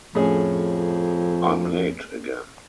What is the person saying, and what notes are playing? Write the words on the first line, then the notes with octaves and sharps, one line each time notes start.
I’m late again!
F2 A2 C#4 G#4